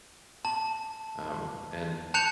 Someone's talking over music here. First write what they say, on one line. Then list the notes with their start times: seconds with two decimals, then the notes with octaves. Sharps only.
um, and
0.45 A5
2.14 A5 F#6 G6 C#7 F7